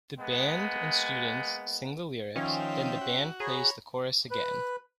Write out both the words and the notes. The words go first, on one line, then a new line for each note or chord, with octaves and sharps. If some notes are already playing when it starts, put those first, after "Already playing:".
The band and students sing the lyrics, then the band plays the chorus again.
G#3 A#3 B3
D#3 F3 C#4 C5 E5 G5
F#4
G#4 C#5 A#5 B5
B4